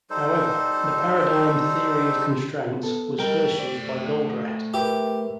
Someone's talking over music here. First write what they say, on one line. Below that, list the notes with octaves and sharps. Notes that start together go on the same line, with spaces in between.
However, the paradigm "Theory of constraints" was first used by Goldratt.
G3 D#4 A4 C5
B3 A4
G3 A3 A#4 D#5 G5
C5 D5
G4 A#4 B4 E5